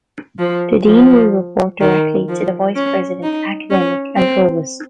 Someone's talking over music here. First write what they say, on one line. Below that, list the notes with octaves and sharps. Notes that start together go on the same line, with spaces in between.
The dean will report directly to the vice president, academic and provost.
F3
F3
D#3
F3
C#4
D#4
C#4
C4